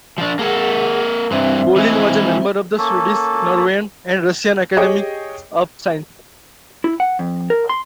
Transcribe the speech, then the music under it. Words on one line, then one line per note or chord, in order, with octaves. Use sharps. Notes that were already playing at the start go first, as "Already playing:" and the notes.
Bolin was a member of the Swedish, Norwegian and Russian Academies of Sciences.
F3 D4
A#3 G#4 A4 F#5
G2 E3 C4 C5 E5
E3 G#3 E4
A#3 C#4 A4
G4 G#4 C#5 D#5 G5
E4
F#5
F2
A#4
C6